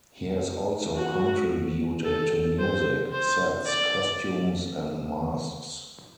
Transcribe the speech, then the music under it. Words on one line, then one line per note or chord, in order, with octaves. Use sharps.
He has also contributed to music, sets, costumes and masks.
F#4
A4
C5
C5
D5